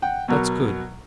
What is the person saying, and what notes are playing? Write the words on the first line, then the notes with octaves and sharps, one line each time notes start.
"That's good."
F#5 G5
B2 F#3 A#4